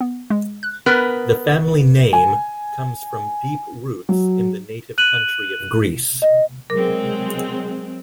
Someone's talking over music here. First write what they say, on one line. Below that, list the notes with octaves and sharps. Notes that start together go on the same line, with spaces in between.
The family name comes from deep roots in the native country of Greece.
B3
G#3
F#6
B3 A#4 B4
G#5
F#3
F#6 D#7 F#7
D#5
F#3 G#3 C4 A#4 D6